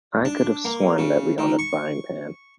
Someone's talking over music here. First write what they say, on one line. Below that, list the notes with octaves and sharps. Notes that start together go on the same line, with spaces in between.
I could have sworn that we own a frying pan.
D4
A#3
C#3
D#3
C#6